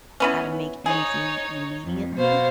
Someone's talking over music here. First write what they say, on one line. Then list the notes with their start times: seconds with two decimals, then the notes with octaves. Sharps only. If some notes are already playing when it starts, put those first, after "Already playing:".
how to make ends meet immediately,
0.20 E3 B3 C#4
0.86 D#4 G#4 C#5
1.84 F2
2.16 B2 C5 F5